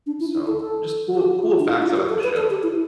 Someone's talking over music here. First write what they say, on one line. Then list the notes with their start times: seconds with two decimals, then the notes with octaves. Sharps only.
So, just cool cool facts about the show.
0.06 D4
0.20 E4
0.34 E4
0.47 A4
0.61 A4
1.14 G4
1.43 F4
1.58 D4
1.69 E4
1.82 F4
1.96 G4
2.09 A4
2.23 B4
2.36 A4
2.50 G4
2.63 E4